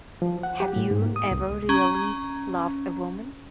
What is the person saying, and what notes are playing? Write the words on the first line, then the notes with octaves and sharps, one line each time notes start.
Have You Ever Really Loved a Woman?
F3
F#5
G4
A2
G#2
A#3
D#6
C2
C#4 A#5